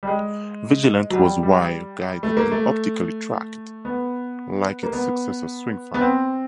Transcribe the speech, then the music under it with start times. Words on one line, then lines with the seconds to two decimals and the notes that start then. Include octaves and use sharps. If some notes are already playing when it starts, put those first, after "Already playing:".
Vigilant was wire-guided and optically tracked, like its successor Swingfire.
0.03 G3
0.07 G#3
1.10 F#3
1.15 G3
1.43 G3
2.23 A3
2.37 A#3
2.51 A3
3.85 B3
4.83 A#3
4.93 B3
5.94 B3
6.01 C4